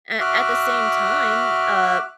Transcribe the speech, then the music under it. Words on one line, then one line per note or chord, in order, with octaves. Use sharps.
a at the same time, uh,
F#4 E5 D6 F6 F#6